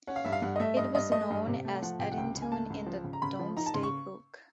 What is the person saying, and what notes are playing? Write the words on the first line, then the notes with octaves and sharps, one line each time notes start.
It was known as Eddintune in the Domesday Book.
C#4 F#5
F5
G2 E5
F5
G2 F#5
D#5
A3 E5
G2 D#5
G2 D#5
A3 D#5
G2
C3
A3
F3 F#5
C3 G5
F#5
C#2 G5
C#2
G#5
A3 A5
C#2
F3
C#3
A#5
C#3 B5
F3
D#4 A#5
A5
C#3 C6
C#6